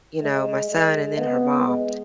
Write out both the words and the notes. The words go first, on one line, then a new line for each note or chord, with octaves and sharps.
you know, my son and then her mom.
G#3
G#3
B3
G#3